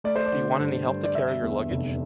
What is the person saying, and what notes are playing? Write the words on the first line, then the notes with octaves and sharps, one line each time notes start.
Do you want any help to carry your luggage?
A3 D5
C5
D5
D3
G2
G2
D5
D3 E5
E2
F1